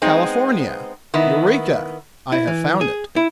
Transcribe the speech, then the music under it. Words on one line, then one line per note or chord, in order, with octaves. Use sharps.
California--Eureka: I have found it.
G#3 B3 C4 D#4
D#3 B3 E4
E4
E3
G#4
E4